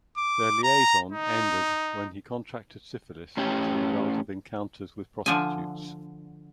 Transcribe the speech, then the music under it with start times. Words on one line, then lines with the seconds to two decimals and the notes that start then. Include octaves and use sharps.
Their liaison ended when he contracted syphilis as a result of encounters with prostitutes.
0.17 D6
0.63 A#5
1.12 D#4
3.37 A2 C#4 G4
5.26 D3 F3 G#5